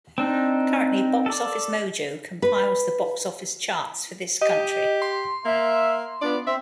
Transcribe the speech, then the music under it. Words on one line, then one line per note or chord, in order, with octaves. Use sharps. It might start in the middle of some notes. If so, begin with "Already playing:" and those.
Currently, Box Office Mojo compiles the box office charts for this country.
C4 D4 D#4
A4 D5
B4
G4 D#5
C6
A#3 E5
B3 D4 F4 D5
C4 E5